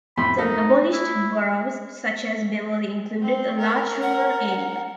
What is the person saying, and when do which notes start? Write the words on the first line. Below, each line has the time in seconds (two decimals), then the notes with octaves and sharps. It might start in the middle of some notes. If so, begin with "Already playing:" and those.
Some abolished boroughs such as Beverley included a large rural area.
0.17 F2 A2 B5 C6
0.38 D#4 A4 A#4
0.93 E4
3.22 C4
3.59 A#4
4.02 F#5